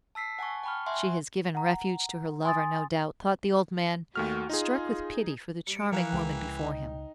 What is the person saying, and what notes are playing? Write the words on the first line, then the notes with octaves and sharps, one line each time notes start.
"She has given refuge to her lover, no doubt," thought the old man, struck with pity for the charming woman before him.
A5 E6 B6 C7
F#5 G#5 A5 C#6
G5 A5 B5 C#6 F6
E5 F#5 G#5 C6
F#5 A#5
G#5 C6 D#6 A6
D#2 A3 F#4 F6
D#4 F4 G#4
G3 C#7 D7
E3 F3 A#4 F5 F#6 F7
C#2 G#3 G5
D#4